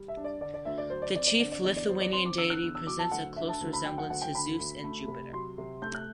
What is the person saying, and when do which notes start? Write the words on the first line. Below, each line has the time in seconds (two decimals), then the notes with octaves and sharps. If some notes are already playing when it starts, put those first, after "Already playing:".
The chief Lithuanian deity presents a close resemblance to Zeus and Jupiter.
Already playing: G3
0.08 E5
0.17 D4
0.24 D5
0.41 D3 D5
0.54 D5
0.65 D2 E5
0.78 D5
0.90 F#3 C5
1.02 D5
1.15 C4 D5
1.27 D5
1.39 D3 D5
1.52 D5
1.64 E2 D5
1.76 D5
1.88 F#3 C5
2.00 D5
2.13 C4 C6
2.25 D6
2.38 D3 E6
2.50 F#6
2.62 E2
2.75 E6
2.87 F#3 D6
2.99 A5
3.12 D2 F#5
3.36 D3 E5
3.49 A5
3.61 D2
3.73 B5
3.85 F#3 G5
3.98 F#5
4.10 D2 F#5
4.22 G5
4.35 D3 B5
4.59 D2
4.84 A3
5.08 C3
5.32 F#3 C6
5.58 C3
5.82 A3 G6
5.95 F#6